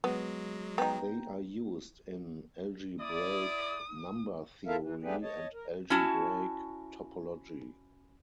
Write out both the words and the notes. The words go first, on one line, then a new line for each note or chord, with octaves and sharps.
They are used in algebraic number theory and algebraic topology.
F#3 G#3 B3
B3 D#4 G5 A#5
E4 D5 D#6
E4 F4 A4 A#4 E5 F5
E3
A3 B3 D4 G4 G#4 B4
C#5 D#5 A5
A#4
C#4 E4 F#4 A5